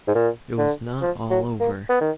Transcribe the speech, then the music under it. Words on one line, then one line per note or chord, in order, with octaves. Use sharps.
It was not all over.
G#2
A#2
D3
F3
F#3
A#3
B3
D#3